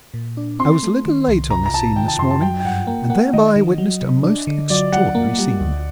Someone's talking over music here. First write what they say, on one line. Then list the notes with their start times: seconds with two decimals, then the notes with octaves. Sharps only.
I was a little late on the scene this morning, and thereby witnessed a most extraordinary scene.
0.14 A#2
0.37 D4
0.59 C4 C6
0.83 A3
1.05 D#3
1.28 C2
1.50 C3 A#5
1.66 A#5
1.74 C3 A5
1.96 D#3 G5
2.08 A5
2.19 F#2 C6
2.31 A5
2.42 F#3 G5
2.60 G5
2.65 G2 F#5
2.87 A#3 G5
3.10 A#3 F#5
3.33 D#3 D#5
3.56 D#3
3.78 F#3
4.02 C3
4.24 D4
4.47 D3
4.70 F#3 D5
4.93 F#3 F#5
5.15 A#3
5.39 G3
5.61 D2